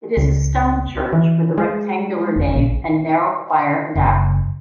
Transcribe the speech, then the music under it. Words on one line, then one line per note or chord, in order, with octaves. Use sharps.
It is a stone church with a rectangular nave and narrow choir and apse.
C#2
E3
G#3
F1
A#1
F#1